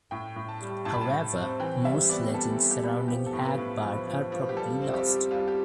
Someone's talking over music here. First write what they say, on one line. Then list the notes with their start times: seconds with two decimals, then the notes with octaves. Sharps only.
However, most legends surrounding Hagbard are probably lost.
0.11 A2 G5
0.36 A2
0.49 A5
0.61 G3
0.85 A2 A5
0.94 B5
1.01 A5
1.10 A2
1.36 C4
1.60 E3 G5
1.84 G3 E5
2.09 B3 D5
2.34 G3 A4
2.59 G3
2.71 G4
2.84 B3
3.08 F3 G4
3.27 A4
3.33 A2
3.45 B4
3.58 A2
3.82 F3
4.07 F3
4.32 F3
4.49 G4
4.57 G3 A4
4.82 C4
4.94 G4
5.06 G3
5.31 G3 F4
5.48 G4